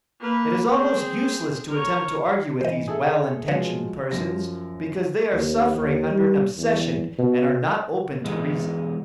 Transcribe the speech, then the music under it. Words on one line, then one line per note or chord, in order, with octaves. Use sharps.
It is almost useless to attempt to argue with these well-intentioned persons, because they are suffering under an obsession and are not open to reason.
A#3 B4
C4 G#4
A#4 C#5
E3 C5 D#5
G#4 A4 E5
F3 F#3 G#3 B4 C#5 F5
F#2 F3 A#6
D#2
D#2
G3
E2
B2
E2 G#3 D#4